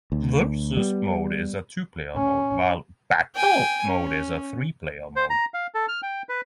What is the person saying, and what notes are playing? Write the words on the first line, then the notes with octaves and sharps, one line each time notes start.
Vs Mode is a two-player mode, while Battle Mode is a three-player mode.
D2
G3 B3
C#4
G5 G#5
C#4
C5
A#5
F5
A4
F6
G5
B4